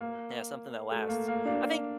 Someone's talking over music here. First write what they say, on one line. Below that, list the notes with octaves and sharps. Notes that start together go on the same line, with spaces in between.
Yeah, something that lasts. I think,
A#3
A3
A#3
A#3
A#3 D4